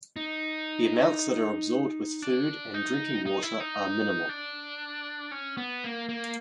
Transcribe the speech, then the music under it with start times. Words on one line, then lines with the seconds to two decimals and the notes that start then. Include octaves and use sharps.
The amounts that are absorbed with food and drinking water are minimal.
0.16 D#4
2.22 D4
2.74 D#4
3.26 D#4
3.43 E4
3.60 D#4
4.29 D4
5.31 C#4
5.57 B3
5.84 A#3
6.09 A#3